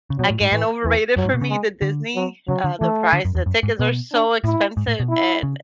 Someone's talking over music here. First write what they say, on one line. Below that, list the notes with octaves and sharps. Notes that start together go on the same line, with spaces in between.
again, overrated for me, the Disney. Uh, the price, the tickets are so expensive, and
C#3
B2 F#3
A2
G#2
A2 E3
E2 E3
F#2 F#3
G#2
B2
C#3
G#3
D3
F#3
C#3 F#3
D3
E3 A3
D3
F#2
E2
F#2
G#2
B2 B3
D4
A2 E4
G#2
A2
B2
E4
C#3